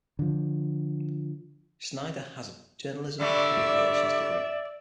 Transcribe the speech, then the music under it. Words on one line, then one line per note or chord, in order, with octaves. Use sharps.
Snyder has a journalism and public relations degree.
D3 F3
D3 G3 A3 D5 E5